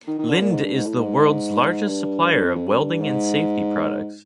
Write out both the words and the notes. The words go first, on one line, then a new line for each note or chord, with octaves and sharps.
Linde is the world's largest supplier of welding and safety products.
D#3
D#3
D3
A#2
G#2
G2
G#2
A2
G#2
G2
G2
F2
F2
F#2
G2
G#2